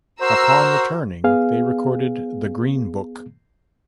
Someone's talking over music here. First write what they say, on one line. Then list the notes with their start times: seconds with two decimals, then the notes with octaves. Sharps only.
Upon returning they recorded "The Green Book".
0.21 F#4 A#4 C5 A#5 E6 C7
1.24 B3 G#4 F5